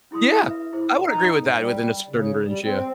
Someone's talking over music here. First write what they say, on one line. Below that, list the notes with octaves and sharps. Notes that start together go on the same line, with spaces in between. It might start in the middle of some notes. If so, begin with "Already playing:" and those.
Yeah. I would agree with that within a certain range. Yeah.
C#4 E4 G#4 C6 D#6
B4 E5
E4 G#4 C5
D#4
G#2
G3
C#3
G3
C4